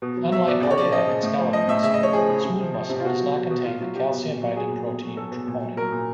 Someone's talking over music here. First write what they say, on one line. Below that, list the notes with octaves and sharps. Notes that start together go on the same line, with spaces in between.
Unlike cardiac and skeletal muscle, smooth muscle does not contain the calcium-binding protein troponin.
B2
F#3
F#3 E5
B2 D5
C#3 D5
C#5
F3 D5
F3 D#5
C#3
A2
F3
F3 D#5
A2 E5
C#3 E5
D#5
F3 C#5
F3 G#4
C#3
C3 G#4
F3
F3
C3
F4
B2 F#4
F#3
F#3
B2
B2 F4
F#3 F4
F#3 G4
B2
A#2
F#3
F#3 G#4
A#2
B2
F#3
F#3 A4
B2
A#2
F#3
F#3 A#4
A#2